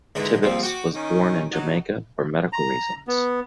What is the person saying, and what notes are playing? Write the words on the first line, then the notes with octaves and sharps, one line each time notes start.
Tibbetts was born in Jamaica for medical reasons.
G#2 D3 E3 G#3 D4
A#1 F3 G3 C4
F#4 G5 D6
D#3 C#4 D#4
F#3 D#4
A#5
B3